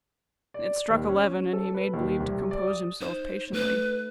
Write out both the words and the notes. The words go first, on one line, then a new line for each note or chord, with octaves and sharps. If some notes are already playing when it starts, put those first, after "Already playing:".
It struck eleven, and he made believe to compose himself patiently.
D5
D#2
C#4
C#4
A4
B4
D#2
C2
D5
D#6
D#4 C5
A3 B4